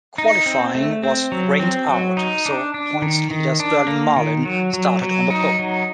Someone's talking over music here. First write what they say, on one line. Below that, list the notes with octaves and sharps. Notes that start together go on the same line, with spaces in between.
Qualifying was rained out, so points leader Sterling Marlin started on the pole.
D#4
C4
A3
C4
F#3
C4
F#3
D#4
D4
D4
D#3
D#3
D4
A#3
D#3
F#3
F#3
F#3
D#4
F#3